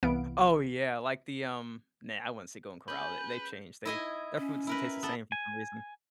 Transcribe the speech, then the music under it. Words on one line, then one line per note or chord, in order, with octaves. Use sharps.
Oh yeah, like the, um, nah, I wouldn't say Golden Corral, they they've changed, they their food doesn't taste the same for some reason.
C2 E3 B3 F5 D7
G#3 B3 C#4 B4 G6
E4 D#5 G#5
C#4
E4 A#4 B4
B3 A4
G#5